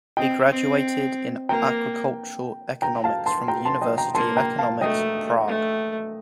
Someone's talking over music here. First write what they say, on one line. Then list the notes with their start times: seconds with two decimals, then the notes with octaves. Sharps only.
He graduated in agricultural economics from the University of Economics, Prague.
0.17 C4 D#5 G5
0.50 C4
1.49 A#3 G5 A#5
2.82 G5 A#5
3.04 F5 A5
3.26 A5 C6
3.48 G5 A#5
3.65 A5 C6
3.81 D#5 G5
3.98 G5 A#5
4.15 A#3 A5 C6
4.37 G5 A#5
4.59 F5 A5
4.81 A3 D#5 G5
5.47 A3